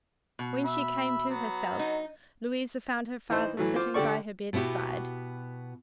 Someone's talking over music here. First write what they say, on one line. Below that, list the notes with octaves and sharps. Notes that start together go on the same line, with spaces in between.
When she came to herself, Louisa found her father sitting by her bedside.
B2
E5 B5
F#3 B3
D#4
E3 D#4 C5
E3 F#3 A3
F4 C5 D6
D3 G4 A4 D5 C#6
B2 B3 E4 F#4 G4